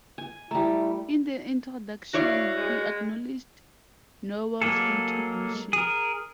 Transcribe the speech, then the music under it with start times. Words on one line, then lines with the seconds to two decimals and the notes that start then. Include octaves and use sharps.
In the introduction he acknowledged Nowell's contribution.
0.18 G#5
0.51 G3 A3 E4 A#5
2.14 E4 F#4 C#5 D5 F5
2.55 G#3
4.62 F#3 G#3 A#3 G#4 A4
5.73 G#4 A#4